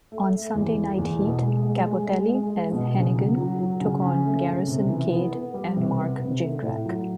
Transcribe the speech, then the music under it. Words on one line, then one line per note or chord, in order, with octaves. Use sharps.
On "Sunday Night Heat" Cappotelli and Hennigan took on Garrison Cade and Mark Jindrak.
A3
A3
E2
A3
E2
B2
G#3
G#3
G#3
G#3
G#3
G#3
B2
C#3
F#3
F#3
F#3
C#3
C#4
A3
C#3
C3
E3
B3
B3
G3
C3
B3
C3
A3
A2
F#3